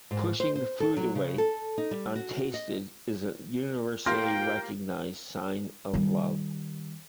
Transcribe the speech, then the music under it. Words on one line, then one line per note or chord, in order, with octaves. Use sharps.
Pushing the food away untasted is a universally recognized sign of love.
G#2
C5
C5
A4
F#3
C#3
A4
D#4
G3
F#4
D#5
A#3 F4 G4 G5 C6 F6 A#6
D#3 G3